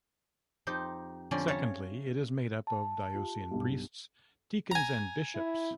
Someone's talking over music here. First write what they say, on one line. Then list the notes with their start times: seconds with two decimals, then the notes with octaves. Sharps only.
Secondly, it is made up of diocesan priests, deacons, and bishops.
0.67 F2 D#4 G4 C5
1.31 F2 D3 C#4 D5 C6
1.48 A4 C#5 E5 F5 A5 A#5
2.67 A5
3.15 F4 G4
3.51 B1 G2
4.71 G#5 A#5
5.35 E4